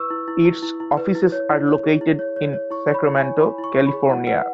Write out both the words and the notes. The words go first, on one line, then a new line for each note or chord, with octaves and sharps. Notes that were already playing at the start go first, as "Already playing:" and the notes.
Its offices are located in Sacramento, California.
Already playing: E4 B4 C#6 E6
E4
E4
E4
E4
E4
B4
E4
C#5
E4
C#5
G#4
E4
C#5
C#5
C#5
E4 C#6
C#5
B5
E4
G#5
C#5
E4 B5
E4
C#6
C#5
B5
G#4
E4 F#5
B4 F#5